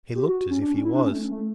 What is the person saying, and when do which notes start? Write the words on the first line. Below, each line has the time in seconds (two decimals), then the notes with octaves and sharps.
He looked as if he was.
0.15 G4
0.27 F#4
0.50 C#4
0.62 D4
0.73 C#4
0.85 E4
0.93 D4
1.02 C#4
1.11 A3
1.31 A3